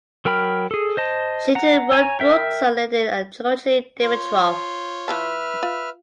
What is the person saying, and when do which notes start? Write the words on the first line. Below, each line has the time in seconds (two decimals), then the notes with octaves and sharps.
She later wrote books on Lenin and Georgi Dimitrov.
0.25 F#3 A#4 G5 B5 F6
0.71 G#4 A4
0.97 C5 D#5 A5
1.55 F#5 A#5
1.92 C#5 G#5 A#5
2.20 A#4 E5 G5
4.00 F4 C5 C#5
5.08 E3 B4 E5 F5 A5 F6
5.63 F4